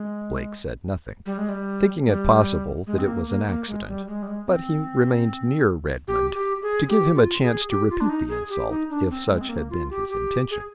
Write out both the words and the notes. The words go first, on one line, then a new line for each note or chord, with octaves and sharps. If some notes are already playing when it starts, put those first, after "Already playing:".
Blake said nothing, thinking it possible that it was an accident; but he remained near Redmond, to give him a chance to repeat the insult, if such had been his intention.
Already playing: G#3
G3
G#3
G3
G3
G#3
C4
A#3
A#3
A#3
G#3
G3
G#3
G3
G#3
C4
G4
G4
G#4
G4
F4
G#4
G4
F4
D4
D#4
G#4
G4
D#4
D4
C4
G#3
C4
A#3
F4
G4
G4
G#4